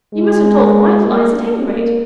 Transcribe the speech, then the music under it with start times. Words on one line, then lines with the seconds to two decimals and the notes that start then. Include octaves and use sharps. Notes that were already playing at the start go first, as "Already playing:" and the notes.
You must have told white lies, at any rate.
0.13 G#3
1.03 A#3
1.33 A#3
1.62 A#3